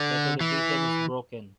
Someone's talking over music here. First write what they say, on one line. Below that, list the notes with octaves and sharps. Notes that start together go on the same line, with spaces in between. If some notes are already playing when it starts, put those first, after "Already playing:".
The television is broken.
Already playing: D3
E3